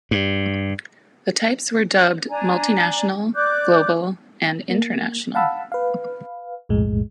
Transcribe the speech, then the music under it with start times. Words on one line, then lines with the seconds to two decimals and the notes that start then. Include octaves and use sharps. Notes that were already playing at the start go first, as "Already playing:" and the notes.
The types were dubbed "Multinational", "Global" and "International".
0.11 G2
2.29 D4 D5 G#5 A#5
3.34 D5 D6 F#6 G6
4.70 A#3
5.35 F5 F#5 A5 B5 E6
5.72 B4 F5
6.69 B1 F2 A2 G#3